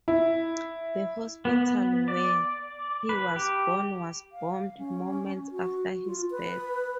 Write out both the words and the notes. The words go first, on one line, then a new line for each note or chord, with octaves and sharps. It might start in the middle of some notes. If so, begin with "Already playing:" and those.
The hospital where he was born was bombed moments after his birth.
E4
B3
D5
B4
G4
F5
C#4
F#4
F4
B4